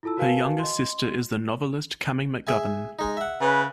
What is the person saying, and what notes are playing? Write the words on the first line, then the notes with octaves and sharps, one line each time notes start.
Her younger sister is the novelist Cammie McGovern.
E4 F4 A4 A5 E6
F#4 A#4 B4 F5 G#5 A5
D#5 C6
G#4 E5 G#5
G#3 D#4
E5 F#5
C#3 B4